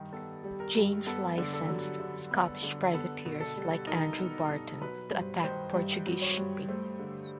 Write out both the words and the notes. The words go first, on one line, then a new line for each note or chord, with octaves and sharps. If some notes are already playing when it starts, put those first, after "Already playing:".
James licensed Scottish privateers like Andrew Barton to attack Portuguese shipping.
Already playing: G2 D#3
B3 A4
G3
A#4
G2
B3 A4
D3
A4
F#3
D3
B3
D3
B3 A4
B2
A4
G3
D#4 A#4
B3
B2
F#3 B4
G2 C5
D#3 C5
G2
F#3
C#5
G2
A3 C5
D3